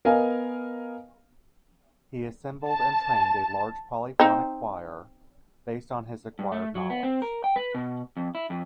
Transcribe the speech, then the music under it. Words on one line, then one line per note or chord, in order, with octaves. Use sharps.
He assembled and trained a large polyphonic choir based on his acquired knowledge.
B3 A#4 D#5 F5 G#5
A5
C4 D#4
G2
A3
F#3
B3
C4
A#4
G5
B4
B2
F2
E4
F2